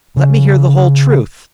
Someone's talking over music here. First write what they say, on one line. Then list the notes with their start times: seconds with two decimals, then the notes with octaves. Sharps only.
"Let me hear the whole truth."
0.17 C#3